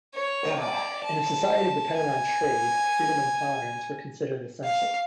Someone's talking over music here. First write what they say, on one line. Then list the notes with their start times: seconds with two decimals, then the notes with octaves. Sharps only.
In a society dependent on trade, freedom and tolerance were considered essential.
0.15 C#5
0.59 D5
1.04 A5
1.94 G#5
4.64 F5